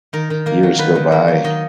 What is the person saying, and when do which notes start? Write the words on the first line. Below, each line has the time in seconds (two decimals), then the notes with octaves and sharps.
years go by,
0.13 D#3 A#4
0.30 D#3
0.46 A#3 A#4
0.63 F#3
0.79 D#3 B4
0.95 D#3
1.12 A#3
1.28 F#3
1.44 D#3 D#5